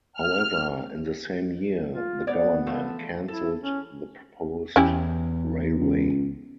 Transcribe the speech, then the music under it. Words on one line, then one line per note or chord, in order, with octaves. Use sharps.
However, in the same year the government cancelled the proposed railway.
F6
F4
B3 C#5 D5
E3 F3 A3
E4 A4
C#4
E2 C#4 E4 G4
C#2